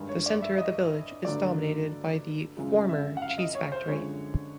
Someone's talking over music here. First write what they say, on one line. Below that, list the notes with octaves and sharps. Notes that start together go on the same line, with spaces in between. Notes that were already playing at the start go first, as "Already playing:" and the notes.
The centre of the village is dominated by the former cheese factory.
Already playing: G2 D#3 G#3
C#5
D5
E5
D#5
G2 D3 F#3 A3 D5
F#2 C#3 F3 G#3
E5
F#5
F5
D#5
C#5
C5
F#2 D3 F3 G#3 C#5